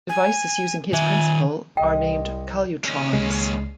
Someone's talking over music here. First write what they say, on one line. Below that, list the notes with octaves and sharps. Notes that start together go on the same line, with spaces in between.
Devices using his principle are named calutrons.
G#5
D#3 E5 G#5
C2 D#5 G5
D#2 C#4
C#2 G#3 C7